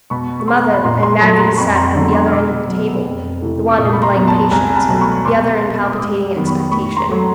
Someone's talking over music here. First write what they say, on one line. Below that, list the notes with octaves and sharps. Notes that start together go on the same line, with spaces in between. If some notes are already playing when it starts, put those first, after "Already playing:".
The mother and Maggie sat at the other end of the table, the one in blank patience, the other in palpitating expectation.
B2 B5 C#6
C#6
G#3 B3 A#5 C6
A#5
B5
A#2 A#5 C6
A#5 C6
F#3 A3 A5 B5
A#5 C6
F2 B5 C#6
A#5 C6
D3 F#3 B3
C6 D6
F6
B2 D6 E6
F#3 B3
F2
C3 E3 A3
D6
A#2 C#6 D#6
B5
A#5 C6
F#3 B3 A#5
A5 B5
C2 G#5 A#5
A5 B5
B2 F#3 A3
B5 C#6
B2 C6 D6
G3 B3
D6
D#6
G#2 D6 E6
D#3 F#3 B3
B5 C#6
A2 B5 C#6
A#5 C6
F#3 A3